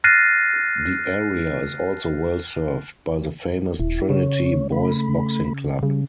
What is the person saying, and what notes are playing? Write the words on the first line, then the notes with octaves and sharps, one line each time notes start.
The area is also well served by the famous Trinity Boys Boxing Club.
F6 F#6 A6 A#6 C7 D#7
D#1 E4
C#3 C#5
A3 B5
C#3 G3